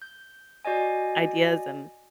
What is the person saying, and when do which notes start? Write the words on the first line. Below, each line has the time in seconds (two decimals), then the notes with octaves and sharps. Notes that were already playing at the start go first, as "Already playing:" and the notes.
ideas and
0.02 G6
0.65 F#4 D5 D#5 G#5